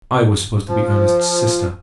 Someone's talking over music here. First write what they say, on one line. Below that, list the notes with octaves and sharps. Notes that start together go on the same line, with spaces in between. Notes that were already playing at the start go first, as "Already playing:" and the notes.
I was supposed to be Ernest's sister.
F3